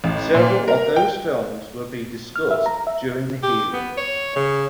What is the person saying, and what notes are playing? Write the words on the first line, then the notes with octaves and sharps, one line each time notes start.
Several of those films would be discussed during the hearings.
A1
A#2
A#4
G5
F6
E5
A#5
E5
G4
B3
C#5
C#3